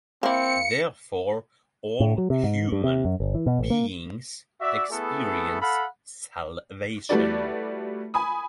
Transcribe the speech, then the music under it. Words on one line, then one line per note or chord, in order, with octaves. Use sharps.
Therefore, all human beings experience salvation.
A#3 C4 E4 F5 C#7
A2
F#3
C3
G#2
G2
C3
F#2
G1
E3
B2
A1
A#3
F#4 D5 E5
A3 B3 E4 G#4 A4
A4 F5 F#5 B5
G3 A3 E4 F#4 B4 D5
G#5 B5 D#6